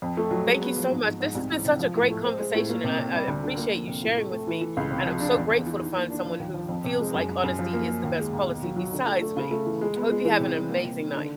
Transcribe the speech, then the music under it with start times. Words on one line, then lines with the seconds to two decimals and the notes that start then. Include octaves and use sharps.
Thank you so much. This has been such a great conversation, and I I appreciate you sharing with me, and I'm so grateful to find someone who feels like honesty is the best policy besides me. Hope you have an amazing night.
0.02 F2
0.17 A3
0.31 F#3
0.47 G#3
0.62 B3
0.77 F3
0.91 G#2
1.05 G#2
1.21 G#2
1.35 C2
1.50 E3
1.65 C3
1.79 F3
1.95 A2
2.10 A3
2.24 C4
2.39 G#3
2.55 A2
2.69 A#3
2.84 C3
2.99 C3
3.14 G3
3.28 D2
3.43 D3
3.57 A#3
3.73 F3
3.87 C3
4.03 A2
4.17 A3
4.31 A3
4.47 E3
4.61 E3
4.77 C#2
4.91 C3
5.06 F3
5.20 D4
5.35 E2
5.51 E2
5.66 E3
5.80 D#3
5.96 A#3
6.10 D4
6.25 F3
6.40 D#2
6.54 F3
6.69 F2
6.84 C3
6.99 G#3
7.14 F#2
7.29 F#2
7.44 F#2
7.59 F3
7.73 A#3
7.87 A#3
8.03 D#2
8.18 G#3
8.33 D#2
8.47 B2
8.63 F#3
8.76 F#3
8.92 D3
9.06 A3
9.21 A3
9.37 C#3
9.51 A3
9.66 E3
9.81 G#3
9.96 B3
10.11 G#3
10.25 E3
10.40 C3
10.54 G3
10.70 A#3
10.84 C3
11.00 D#3
11.15 D3